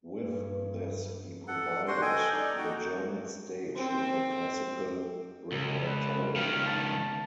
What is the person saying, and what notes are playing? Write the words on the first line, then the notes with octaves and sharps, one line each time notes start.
With this, he provided the German stage with a classical repertory.
G2 B4
A4 F#5
D4 F#4 C5 C6
A4 D#5 G5 G#5
D#4 A4 D5
D#4 F#4 G5
C4
C#2
B4
C#2 D#3 F5
A5